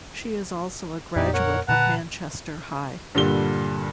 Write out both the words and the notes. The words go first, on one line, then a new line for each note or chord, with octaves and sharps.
She is also a graduate of Manchester High.
F2 A#2 B3 D#4 G4 D5
A#4 C#5 F#5
A#2 D3 B4 F#5 A5 A#5
G2 A#2 D3 G3 G7